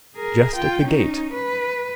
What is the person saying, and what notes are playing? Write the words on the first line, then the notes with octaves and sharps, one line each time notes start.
Just at the gate.
G#4 A#4
F4 G5
C#4 D#4
B4